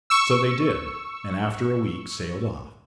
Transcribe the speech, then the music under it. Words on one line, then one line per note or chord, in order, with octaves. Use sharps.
So they did, and after a week sailed off.
C#6 E6